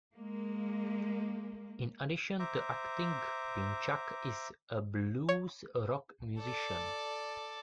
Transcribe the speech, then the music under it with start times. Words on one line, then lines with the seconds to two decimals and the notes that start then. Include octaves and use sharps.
In addition to acting, Pinchak is a blues rock musician.
0.14 G#3 A#3
2.40 C5 E5 A#5 D6
5.29 C#5
6.39 A4 D5